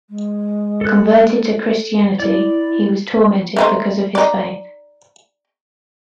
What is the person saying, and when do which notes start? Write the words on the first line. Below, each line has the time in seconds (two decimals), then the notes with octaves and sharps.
Converted to Christianity, he was tormented because of his faith.
0.09 G#3
0.81 A4 F#6
2.20 E4 D5
3.57 A3 D#4 C5
4.15 D#4 D5